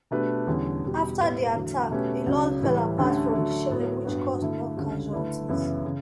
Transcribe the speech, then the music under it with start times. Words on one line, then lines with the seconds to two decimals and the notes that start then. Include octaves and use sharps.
After the attack, a lull fell apart from the shelling, which caused more casualties.
0.11 B2 A3 D4 G4 B4
0.47 E2 D3 G3 C#4
0.82 E2 B2 G3
1.19 A2 G3 B3
1.54 E2 D3 F#3 A3
1.90 B2 A3 C#4 G4 B4
2.26 C#2 C#3 F#3
2.61 A2 E3 G3
2.98 D2 D3 A3 C#4 G4
3.33 D3 F#3 A3
3.70 A2 F#3 B3
4.05 G2 F#3 B3 F#4
4.41 D3 A3 E4
4.77 D2 C#3 G3
5.12 D3 A3 E4 B4
5.49 F#2 C#3 E3 B3 E4
5.85 C#3